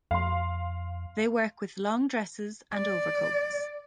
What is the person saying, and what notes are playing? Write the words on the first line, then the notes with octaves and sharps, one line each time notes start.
They work with long dresses and overcoats.
F2 F5 C6
D5